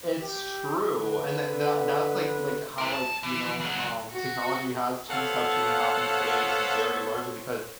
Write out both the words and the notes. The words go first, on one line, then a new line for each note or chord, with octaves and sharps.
It's true, and tha that that's like like how, like, you know, um, technology has changed how cheating happens today very largely because
G4
D3 B4
E4 A#4
C2 A5
E3
C#2 F#3
F#4
B3 A4 C5 C#5 F5 F#5